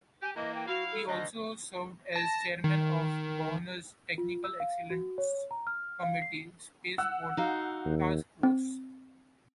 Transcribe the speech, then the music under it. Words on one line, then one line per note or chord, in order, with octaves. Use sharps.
He also served as Chairman of the Governor's Technical Excellence Committee Spaceport Task Force.
G4 G#5
E3 A#3 D#5
G5
F#3 E4 F#4 F5
A4
D2 D#5
A5 A#6
D#3
F4
E6
F5
F#4
C#5
A#5
F6
F5
C7
F#5 E6 F#6
D#4 F#4 F5
D#2
C4